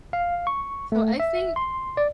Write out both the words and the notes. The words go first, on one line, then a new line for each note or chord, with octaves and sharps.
so I think
F5
C#6
A3
E5
C6
D5